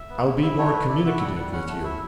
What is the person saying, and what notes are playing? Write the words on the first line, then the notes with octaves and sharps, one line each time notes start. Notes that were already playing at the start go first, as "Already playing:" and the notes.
I'll be more communicative with you.
Already playing: E5
B3
E4
E4 E5
A3 C#5
E4 B4
E4 D5
F#4 E5
G3 F#5
G3 F#5
C#4 F#5
A3 F#5
E4 E5